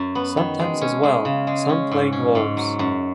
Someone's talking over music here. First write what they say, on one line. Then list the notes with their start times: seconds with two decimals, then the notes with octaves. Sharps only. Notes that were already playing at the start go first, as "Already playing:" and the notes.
Sometimes as well, some plain wolves...
Already playing: F#2
0.15 B3
0.37 D#3
0.60 G#3
0.81 C#4
1.03 G#3
1.25 C#3
1.47 G#3
1.69 C#4
1.92 G#2
2.13 C#4
2.35 G#2
2.57 F#3
2.79 F#2